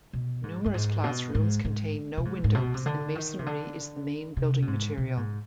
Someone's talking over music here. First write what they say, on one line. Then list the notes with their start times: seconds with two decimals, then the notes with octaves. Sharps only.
Numerous classrooms contain no windows and masonry is the main building material.
0.13 B2
0.44 G#2
0.66 G2
0.74 G#2
1.04 B2
1.35 G#2
1.65 G#2
2.17 B2
2.25 G#2
2.44 G#2
2.55 B2
2.74 C3
2.86 D3
3.15 D#3
3.39 C3
3.46 D3
4.37 C3
4.62 B2
4.67 G#2
4.98 B2
5.17 G#2